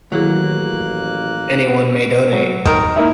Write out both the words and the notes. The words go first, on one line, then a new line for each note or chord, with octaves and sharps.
Anyone may donate.
A1 D#3 F#3 A#3 E4 G#4 F#6
F#3
D#3 A#4
A#3 D#4 E4